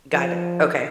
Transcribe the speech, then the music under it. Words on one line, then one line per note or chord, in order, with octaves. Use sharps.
Got it. Okay.
F3